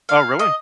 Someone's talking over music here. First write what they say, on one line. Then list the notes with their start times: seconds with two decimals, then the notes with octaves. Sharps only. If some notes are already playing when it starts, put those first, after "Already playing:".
Oh, really?
0.09 F5
0.39 D#5